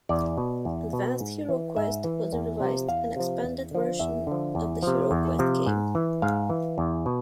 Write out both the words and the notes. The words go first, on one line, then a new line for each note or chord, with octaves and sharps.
"Advanced HeroQuest" was a revised and expanded version of the HeroQuest game.
E2 D5
B2
E2
B2
G#2
E3
G#2 E5
E3
E2
C3 F3
E2 F5
C3 F3
E2
D3 F3
E2 E5
D3 F3
E2
C3 F3
E2
C3 F3
G#2
E3
G#2 F5
E3
E2
B2